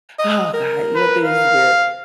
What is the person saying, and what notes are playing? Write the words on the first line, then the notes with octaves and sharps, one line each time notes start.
Oh god. You gonna think this is weird,
D#5
A#4
B4
F5